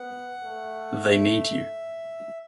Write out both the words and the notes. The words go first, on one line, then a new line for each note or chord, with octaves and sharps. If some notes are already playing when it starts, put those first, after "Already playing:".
They need you.
Already playing: B3 F#5
A3
E5